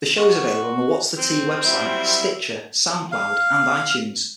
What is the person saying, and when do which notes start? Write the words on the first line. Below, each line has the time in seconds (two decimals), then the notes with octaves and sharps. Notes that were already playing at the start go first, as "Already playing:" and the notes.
The show is available on the What's The Tee website, Stitcher, Soundcloud and iTunes.
0.18 F#4
1.18 C4
1.64 F#3 G3 E4
3.12 F5